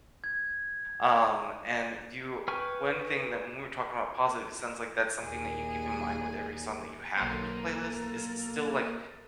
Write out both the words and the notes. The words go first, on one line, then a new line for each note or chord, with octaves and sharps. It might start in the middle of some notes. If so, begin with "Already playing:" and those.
um, and you one thing that when we were talking about positive, it sounds like that's something that you keep in mind with every song that you have in your playlist, is it's still, like,
G#6
B4 G5 G#5 C#6 F6
D#2 A#2 G#4
B1 F#3 A#3 A4 A#4 C5 D#7